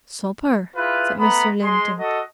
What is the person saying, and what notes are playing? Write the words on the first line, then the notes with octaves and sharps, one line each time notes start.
"Supper?" said Mr. Linton.
E4 F4 G#4 B4
A3 B3 A#5 B5
G#3 C6
F#4 A4 D#5